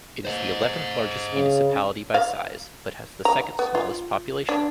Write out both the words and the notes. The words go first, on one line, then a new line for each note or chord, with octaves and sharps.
It is the eleventh largest municipality by size, but has the second smallest population.
C5 D#5
C#3
F5
A#5
B3
F4
D4